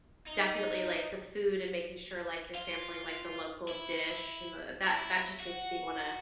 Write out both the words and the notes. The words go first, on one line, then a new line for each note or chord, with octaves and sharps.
definitely, like, the food and making sure, like, you're sampling, like, the local dish, and the that that just makes me wanna
D#4
F4
E4
E4
F#4